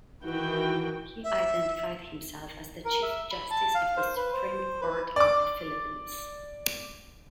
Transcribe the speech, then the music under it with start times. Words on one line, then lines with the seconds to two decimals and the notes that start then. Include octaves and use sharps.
He identified himself as the Chief Justice of the Supreme Court of the Philippines.
0.24 D#3 E3 F#4 B4 G5
1.24 E5
2.85 A#4
3.02 E5
3.31 B5
3.51 A5
3.75 F5
3.97 C5
4.16 B4
4.33 C5
4.81 B4
5.16 D5 D6